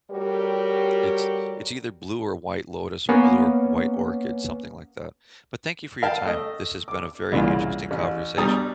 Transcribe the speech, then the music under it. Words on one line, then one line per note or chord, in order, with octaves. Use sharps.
It's it's either blue or white lotus or blue or white orchid, something like that. But thank you for your time. This has been a very interesting conversation.
G3 A3 F#4 G4 A#4 C#5
A#3 B3 C#4
A#4 F5 G5 A5
A3 D#5
D6
C2 A#2 C#3 E3 F4
A1
B2 G3 D4 A#5 D#6